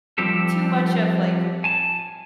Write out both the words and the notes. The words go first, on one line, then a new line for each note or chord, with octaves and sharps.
too much of, like,
F3 G3 C4 G4 A4
G#5 A5